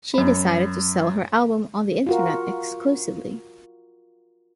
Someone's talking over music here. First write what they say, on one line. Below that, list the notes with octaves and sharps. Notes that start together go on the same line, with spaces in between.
She decided to sell her album on the Internet exclusively.
F#2 B5
F4 F#4 A#4